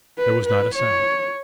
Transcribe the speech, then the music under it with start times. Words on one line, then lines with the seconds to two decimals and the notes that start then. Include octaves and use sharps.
There was not a sound.
0.19 B4
0.47 B4
0.75 C#5